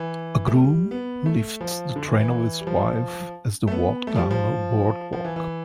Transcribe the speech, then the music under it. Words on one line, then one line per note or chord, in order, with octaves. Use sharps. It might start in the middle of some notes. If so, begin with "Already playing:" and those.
A groom lifts the train of his wife as they walk down a boardwalk.
Already playing: E3
A3
G3
B3
A3
F3
D3
E3
E3
G3
F3
A3
B3
A3
F3
G3
F3
F3
E3
E3